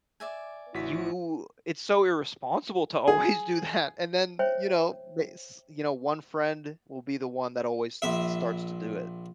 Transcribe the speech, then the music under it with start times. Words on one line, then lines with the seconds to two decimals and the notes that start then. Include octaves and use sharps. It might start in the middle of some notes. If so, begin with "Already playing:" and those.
you it's so irresponsible to always do that, and then, you know bas you know, one friend will be the one that always s starts to do it.
0.20 D5 E5 G#5
0.74 A1 E4 F#4 B6
3.08 G#4
4.39 C5 C#5 E5 G5
8.02 A#1 E5